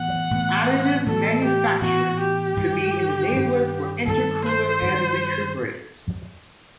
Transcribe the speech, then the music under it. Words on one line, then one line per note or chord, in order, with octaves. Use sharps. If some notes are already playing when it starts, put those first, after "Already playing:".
Additive manufacturing could be an enabler for intercooler and recuperators.
Already playing: A2 E3 B3 F#5
A2 E3 B3
A2 E3 B3 A4
G4
A2 E3 B3 F#4
G4
G2 D#3 G3
G2 D#3 G3
G2 D#3 G3 A4
C5
G2 D#3 G3